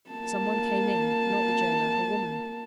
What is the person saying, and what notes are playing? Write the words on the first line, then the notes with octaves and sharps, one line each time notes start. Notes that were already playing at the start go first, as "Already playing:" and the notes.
Some one came in; not the gaoler--a woman.
A#3 A5